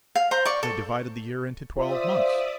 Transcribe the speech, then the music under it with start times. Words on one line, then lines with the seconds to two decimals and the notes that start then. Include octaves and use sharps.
They divided the year into twelve months.
0.15 F5
0.31 C5 A#5 C6
0.45 D5 C#6
0.63 A4
1.77 F4 C5 D5 E5 D#6